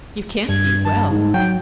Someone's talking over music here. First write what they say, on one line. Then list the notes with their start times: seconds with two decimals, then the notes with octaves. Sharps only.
'You can't be well.
0.49 G2 G#6
0.85 A5
1.11 G#2
1.34 F#3 G5